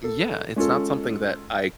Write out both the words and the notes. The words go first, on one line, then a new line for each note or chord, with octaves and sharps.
yeah, it's not something that I
A4
G#3 C#4 F4 A4